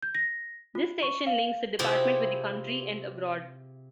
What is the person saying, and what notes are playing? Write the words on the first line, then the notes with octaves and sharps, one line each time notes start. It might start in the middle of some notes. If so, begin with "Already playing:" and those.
This station links the department with the country and abroad.
G6
A#6
F4
C#6
F5
C3 C4 E4 F4 G4 G#4